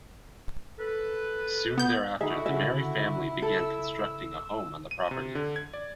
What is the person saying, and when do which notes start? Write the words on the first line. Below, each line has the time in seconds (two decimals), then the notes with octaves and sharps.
Soon thereafter, the Merry family began constructing a home on the property.
0.79 A4 B4
1.78 B3 G6
2.21 D3 D#4 E4 F#4 G#4 E5
2.46 C#3 E5 G#5
3.42 A4 E6
4.91 D#7
5.11 C3
5.35 D3
5.56 G#6
5.73 D5